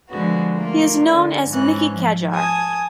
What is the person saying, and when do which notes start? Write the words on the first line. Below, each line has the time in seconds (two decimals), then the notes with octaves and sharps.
He is known as "Mickey Kadjar".
0.10 D3 F3 G#3 B3 F#4
0.54 A3 A#3 F4
0.96 D3
1.49 G#2 E3 C#4 F#6
1.89 F3
2.34 G#5 A5 D#6 G#6